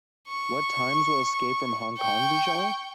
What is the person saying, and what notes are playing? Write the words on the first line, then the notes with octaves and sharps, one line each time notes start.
What times will Escape from Hong Kong be showing?
C#6
G5 C#6